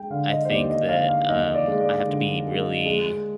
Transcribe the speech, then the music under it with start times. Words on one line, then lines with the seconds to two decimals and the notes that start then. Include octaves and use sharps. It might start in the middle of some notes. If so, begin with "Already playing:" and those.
I think that, um, I have to be really,
Already playing: G#3 G5
0.10 D3 F5
0.30 D#5
0.45 C5
0.50 D#2 D5
0.70 D#5
0.88 D3 F5
1.09 F5
1.29 D#2 D#5
1.54 D5
1.68 G#3
1.81 D5
2.07 D3
2.47 G#3
2.86 G#3